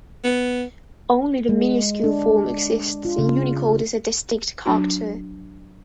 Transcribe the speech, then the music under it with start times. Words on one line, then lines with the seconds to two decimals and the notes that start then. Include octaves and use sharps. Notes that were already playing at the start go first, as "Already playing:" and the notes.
Only the minuscule form exists in Unicode as a distinct character.
0.24 B3
1.49 G#3
2.04 D4
3.05 F4
3.18 C#3
4.66 F#3 D4 F#4